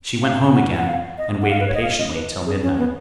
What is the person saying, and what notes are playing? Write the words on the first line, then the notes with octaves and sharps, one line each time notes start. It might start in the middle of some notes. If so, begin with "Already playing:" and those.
She went home again, and waited patiently till midnight.
F5
F#5
F#5
F5
D#5
F#5
F5
B4
C#5
D#5
F5
D#5
B4
G#4
C#4
B3